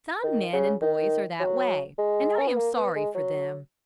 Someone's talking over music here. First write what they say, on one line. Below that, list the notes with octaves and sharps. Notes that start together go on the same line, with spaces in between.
Some men and boys are that way, and I am sorry for them.
D#3
C#3
D#3
F#3
G#3
C#4
B3
A#3
B3
G#3
F#3